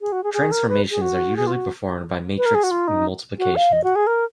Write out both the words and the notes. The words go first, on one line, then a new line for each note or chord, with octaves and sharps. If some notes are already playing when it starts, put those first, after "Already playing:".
Transformations are usually performed by matrix multiplication.
G#4
F#4
G#4
G#4
A#4
B4
G#4
F#4
G#4
F4
F#4
B4
A#4
G#4
F#4
F4
D#4
F#4
F5
D#5
F#4
G#4
A#4